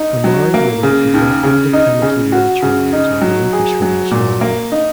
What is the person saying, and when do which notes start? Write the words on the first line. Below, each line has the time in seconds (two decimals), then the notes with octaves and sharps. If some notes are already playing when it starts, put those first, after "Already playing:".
A married woman could not independently naturalize or relinquish her nationality.
Already playing: D#4
0.24 F#3
0.54 A#3
0.83 C#3
1.14 D#2
1.43 C#3
1.73 D#4
2.02 C#3
2.32 F#4
2.62 C#3
2.93 D#4
3.22 F#3
3.53 G#4
3.82 F#3
4.11 A#2
4.41 A#3
4.72 D#4